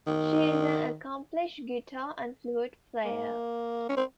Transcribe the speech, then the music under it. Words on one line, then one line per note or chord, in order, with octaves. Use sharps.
She is an accomplished guitar and flute player.
D#3
A#3
C#4
C4